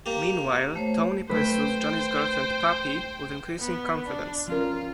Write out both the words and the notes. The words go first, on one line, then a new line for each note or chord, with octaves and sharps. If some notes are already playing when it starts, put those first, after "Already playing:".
Meanwhile, Tony pursues Johnny's girlfriend Poppy with increasing confidence.
A#3 G4
A3 C5 C#5
A3 B4 C5 G5
B3
D4
F3 C#4 F4 A#4